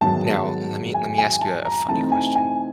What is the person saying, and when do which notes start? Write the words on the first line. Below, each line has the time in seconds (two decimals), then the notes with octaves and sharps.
Now let me let me ask you, uh, a funny question
0.01 G#2 D#3 F#3 B3 A5
0.94 G#5
1.18 G#5
1.41 A5
1.65 A#5
1.88 C3 E3 A3 C4 D#4 A5
2.12 G#5
2.35 G#5